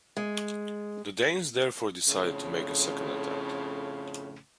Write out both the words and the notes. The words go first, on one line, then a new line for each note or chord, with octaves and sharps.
The Danes therefore decided to make a second attempt.
G#3
F2 A2 C#3